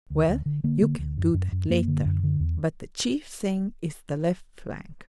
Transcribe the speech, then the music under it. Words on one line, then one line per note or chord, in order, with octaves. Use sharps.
"Well, you can do that later, but the chief thing is the left flank."
D2
D2
D3
D3 A#3
D3
D2
F#2
F#2
F#2
F#2 A#3
D3
F#2
D3
E2